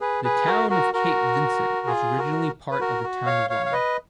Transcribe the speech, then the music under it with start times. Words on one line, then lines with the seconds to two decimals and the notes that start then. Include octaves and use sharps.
The Town of Cape Vincent was originally part of the Town of Lyme.
0.01 G#4 B4
0.24 G#4 B4
0.47 F#4 A#4
0.70 F#4 A#4
0.94 F#4 A#4
1.87 F4 G#4
2.18 F#4 A#4
2.71 B4
2.81 F#4 A#4
3.04 F#4
3.26 C#5 F5
3.50 C#5 F5
3.66 F5
3.73 B4 D#5